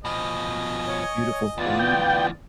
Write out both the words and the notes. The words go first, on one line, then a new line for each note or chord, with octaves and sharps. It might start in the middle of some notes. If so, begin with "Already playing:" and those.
beautiful thing
B2 F3 D#5 G#5
C#5
D2 E3 B3 F4 D5
G5